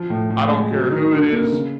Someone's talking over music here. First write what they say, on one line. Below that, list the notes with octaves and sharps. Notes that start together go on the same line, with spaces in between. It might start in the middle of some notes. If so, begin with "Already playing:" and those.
I don't care who it is,
Already playing: F3
A2
A2
G#3
F#3
D#4
D3
A#3
C#3